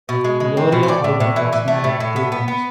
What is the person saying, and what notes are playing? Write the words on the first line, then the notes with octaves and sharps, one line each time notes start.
Gloria Holden was married three times.
B2
G#3
G#3
C4
B2
C5
A2 D5
A2
A2
E3
E3
A3
A2
A2
B3
B3
B3